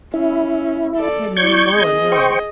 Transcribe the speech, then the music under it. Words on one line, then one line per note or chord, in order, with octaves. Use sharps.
He had known him well in Rome.
C#4 E4
A4 D5
E4 D5 C#6 G6 G#6
G#4 D#5
C5 G5 C#6